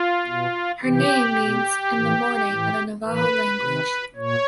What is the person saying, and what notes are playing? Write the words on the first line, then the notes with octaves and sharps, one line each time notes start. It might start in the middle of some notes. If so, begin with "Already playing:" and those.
Her name means "in the morning" in the Navajo language.
Already playing: F4
B2
C3 E3 G4
B2
A2 E3
A2 E3
A2 E3 B4
C3 D#3
A#2 C#5